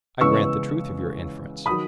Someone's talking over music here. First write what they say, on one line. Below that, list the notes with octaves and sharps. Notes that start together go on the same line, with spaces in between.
I grant the truth of your inference.
C#2 C#3 E3 G#3 B3 C#6 E6
D#3 F#3 B5 D#6